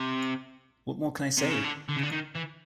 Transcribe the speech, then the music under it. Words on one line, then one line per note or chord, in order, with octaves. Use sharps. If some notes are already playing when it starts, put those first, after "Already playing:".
What more can I say?
Already playing: C3
C3
C#3
D3
D3
C#3
D3
D#3
E3